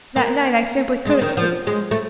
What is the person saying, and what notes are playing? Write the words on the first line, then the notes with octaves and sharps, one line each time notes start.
That night I simply couldn't sleep.
A#3
G#3
D#3
F3
G#3
A3